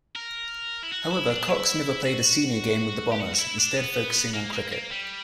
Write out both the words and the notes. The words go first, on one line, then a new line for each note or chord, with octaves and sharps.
However, Cox never played a senior game with the Bombers, instead focusing on cricket.
A#4
E4
F#4
E4
D4
E4
F#4
G4
F#4
F#4
E4
D4
B3
A#3
A#3
A#3
G3